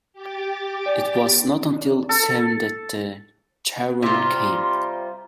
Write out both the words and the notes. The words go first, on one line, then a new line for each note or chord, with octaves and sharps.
It was not until seven that the charwoman came.
G4 D6 A6
D5 G#5
A4
C3 G3 F4 A#5 C6